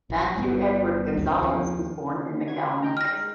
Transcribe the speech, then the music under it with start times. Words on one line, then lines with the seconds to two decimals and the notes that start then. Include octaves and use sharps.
Matthew Edward Gonzalez was born in McAllen, Texas.
0.10 A#1
0.38 G1 G3 B3
1.17 C#2 F#2
1.39 D#2 F3
2.48 D#3 F#4 G#6
2.83 D#4 G5 A#5
2.97 F6 A#6
3.12 G#3